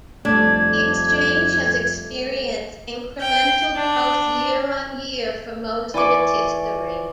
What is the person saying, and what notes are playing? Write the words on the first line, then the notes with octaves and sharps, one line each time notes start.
The Exchange has experienced incremental growth, year-on-year for most of its history.
F2 G3 A3 D4 G#6
G5
D4
E3 D5 G#5 C#6 D6